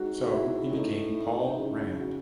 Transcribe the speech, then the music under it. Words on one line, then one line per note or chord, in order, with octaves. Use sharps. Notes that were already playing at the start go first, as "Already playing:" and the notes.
So he became Paul Rand.
Already playing: G#2 F#4
F#4
E4
C#4
C3
A2 D#4
E4
D#4
C#3 E4
F#4